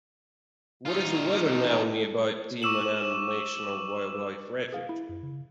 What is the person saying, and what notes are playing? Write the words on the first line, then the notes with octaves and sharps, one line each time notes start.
What is the weather now nearby Petit Manan National Wildlife Refuge?
D#4 F4
C#6 D6 E6 E7 F#7
G#4 F5
E4
F#2
C#3